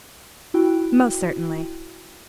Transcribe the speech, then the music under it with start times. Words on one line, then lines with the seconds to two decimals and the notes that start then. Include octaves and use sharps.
"Most certainly."
0.54 E4 F#4 G5